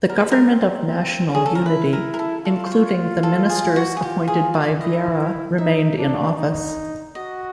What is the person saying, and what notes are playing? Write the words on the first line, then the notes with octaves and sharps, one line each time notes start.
The Government of National Unity, including the ministers appointed by Vieira, remained in office.
B3 A#4
B4
A#4
C4
C4
C#4
G#4
A4
A#4
E4 B4
A#4
A#4
A4
F4 A4
C5
C#5
A4
G#4
F#4
G#4
F4 G4
G#4
D5
E4 D#5
D#4 E5
D4
D#4
F#4 D#5